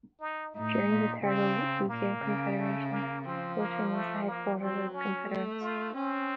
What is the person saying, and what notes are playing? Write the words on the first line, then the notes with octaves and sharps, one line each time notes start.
During the Targowica confederation Tulchin was the headquarters of the confederates.
D#4
A2 D#4
A#2
C#3 C4
A#2 A#3
C#3
A3
A#3
F3 C4
A#3
A3
A#3
F#3 C4
C#4
A3
F4
C4 C#4